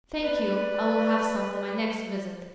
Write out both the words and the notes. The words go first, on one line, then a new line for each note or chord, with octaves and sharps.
"Thank you, I will have some on my next visit."
B4 D5